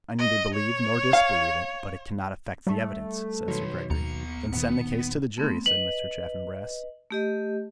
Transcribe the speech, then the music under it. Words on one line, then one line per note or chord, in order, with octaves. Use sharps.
"I neither believe nor disbelieve it; but it cannot affect the evidence," said Sir Gregory. "Then send the case to the jury," said Mr. Chaffanbrass.
D#5
C#5
F5
G3 A3
B2 D#3 F#3 B4 C#5
D#2 B3 A#5 C#7
D#1 A#2 D#3 B3
A3 B3 C4
B4 D#5 F#7
A3 G4 D#5